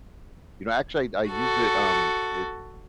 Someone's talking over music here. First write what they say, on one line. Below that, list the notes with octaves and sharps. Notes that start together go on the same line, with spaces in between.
you know, actually, I I used it, um, it
F#4 A4